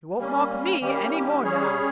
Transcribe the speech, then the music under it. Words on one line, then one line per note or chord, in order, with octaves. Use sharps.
You won't mock me any more now!'
G3 A#3 C#4
D#3 G3 A#3 C#4 G4
G3 C#4 G#4 C#5